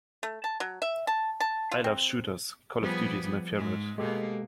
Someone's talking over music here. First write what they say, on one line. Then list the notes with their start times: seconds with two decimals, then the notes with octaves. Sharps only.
I love shooters, Call of Duty is my favorite.
0.23 A3
0.44 A5
0.60 F#3
0.82 E5
1.07 A5
1.40 A5
1.71 F4
1.84 C4
2.82 F3 G3 B3 G#4
3.54 G#2 G#3
3.98 B2 G#3 A#3 G4 A4